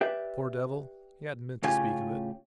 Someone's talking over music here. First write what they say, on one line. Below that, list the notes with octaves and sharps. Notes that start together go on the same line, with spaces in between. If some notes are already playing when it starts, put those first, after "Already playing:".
Poor devil--he hadn't meant to speak of it.
G4 B4 D5 E5
A2 C#3 C#4 F4 G4 G#5